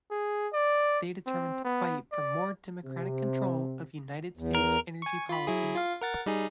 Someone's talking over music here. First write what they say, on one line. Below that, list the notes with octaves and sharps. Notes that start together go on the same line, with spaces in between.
They determined to fight for more democratic control of United States energy policy.
G#4
D5
C4
B3
D5
C3
E2
A#4
G#5 C#6
F4 B5
F#3 E4 G#4
F4 F5
A#4 F#5 A6
G3 D#4 G#4